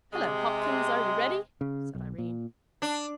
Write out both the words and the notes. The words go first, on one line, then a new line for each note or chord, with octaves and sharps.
"Hullo, Hopkins, are you ready," said Irene.
C3 G#3
C#3
B1
A#2
D4